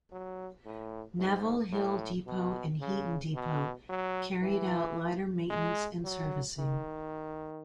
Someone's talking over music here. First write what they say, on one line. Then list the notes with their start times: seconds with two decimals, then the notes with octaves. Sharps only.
Neville Hill Depot and Heaton Depot carried out lighter maintenance and servicing.
0.12 F#3
0.66 A2
1.19 G#2
1.72 A2
2.27 B2
2.81 C#3
3.35 B2
3.89 F#3
4.43 E3
5.50 G#3
6.05 F#3
6.59 D#3